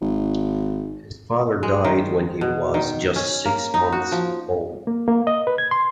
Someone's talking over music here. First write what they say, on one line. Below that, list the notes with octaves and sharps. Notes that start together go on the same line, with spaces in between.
His father died when he was just six months old.
G#1
G#3
D#3
B2
D#3
C#4
A#3
D#4
F#4
F3
A#3
A#3
D#5
B4
G#6
C6